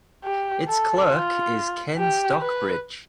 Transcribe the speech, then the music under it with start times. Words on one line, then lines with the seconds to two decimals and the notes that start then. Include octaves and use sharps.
Its Clerk is Ken Stockbridge.
0.24 G4
0.68 A4
1.12 F4
1.98 G4
2.42 B4